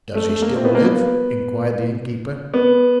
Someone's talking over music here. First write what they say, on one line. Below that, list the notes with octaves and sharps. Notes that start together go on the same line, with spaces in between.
"Does he still live?" inquired the innkeeper.
A3
A3
A#3
C4
B3
A#3
B3
B3